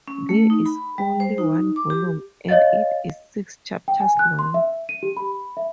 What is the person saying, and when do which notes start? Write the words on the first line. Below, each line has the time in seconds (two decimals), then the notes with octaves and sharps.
There is only one volume and it is six chapters long.
0.08 C#4
0.29 A3
0.50 D#4
0.66 B5
0.98 G3
1.20 C5
1.38 D#4
1.76 D6
1.90 G4
2.49 C#5 D#5 F5 A6
3.88 G5
4.00 G#5
4.19 F#6
4.39 C6
4.54 E5
4.89 D#7
5.03 G4
5.17 B5
5.57 E5